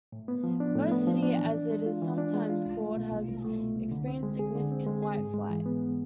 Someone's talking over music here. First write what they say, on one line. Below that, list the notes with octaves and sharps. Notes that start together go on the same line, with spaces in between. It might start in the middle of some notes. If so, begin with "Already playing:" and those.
"Mo City", as it is sometimes called, has experienced significant "white flight".
A2
B3
F3
D4
A2
B3
F3
D4
E3
D4
G#3
F4
E3
D4
G#3
F4
C2
A3
B2
C2
C2
A3
B2
C2
D3
C4
G#3
G#4
D3
C4
G#3
G#4
G#2
G#3
E3
B3